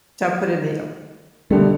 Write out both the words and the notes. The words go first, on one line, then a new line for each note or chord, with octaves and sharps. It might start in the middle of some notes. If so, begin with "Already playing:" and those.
So I'll put in the oh.
B2 D3 G3 A3